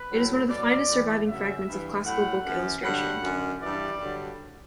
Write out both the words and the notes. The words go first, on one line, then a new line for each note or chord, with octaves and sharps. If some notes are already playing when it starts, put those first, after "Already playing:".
It is one of the finest surviving fragments of classical book illustration.
Already playing: B4
A2 F#3
B2 F#3 D5
A2 E3
F#2 C#3 F#3 E5
G2 E3
A2 F#3 F#5
F#2 E3
G2 D3 F#3 F#5
F#2 D3 F#3
G2 E3 D5
G2 D3 F#3